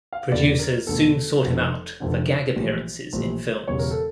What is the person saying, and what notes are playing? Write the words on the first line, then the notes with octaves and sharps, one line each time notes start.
Producers soon sought him out for gag appearances in films.
F5
E1 E2 D3 A3 D5
A#4
E1 E2 D3 A3 A4
F1 F2 D3
F1 F2 D3
A#1 A2 E3 G3
A#1 A2 E3 G3
E1 E2 C#3 G3 C#5
A#4
A4